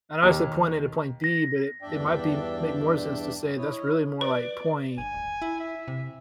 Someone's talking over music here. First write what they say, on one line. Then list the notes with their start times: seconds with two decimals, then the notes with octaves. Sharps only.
I know I said point A to point B, but it might be make more sense to say that's really more like, point
0.23 D#2
1.24 A#6
1.82 E2 G2 D4 D5 E5 G5
3.57 E4 C#5 D#5
4.21 B4 D5
4.98 G1 G#5
5.14 D1
5.42 E4
5.60 E5
5.88 C3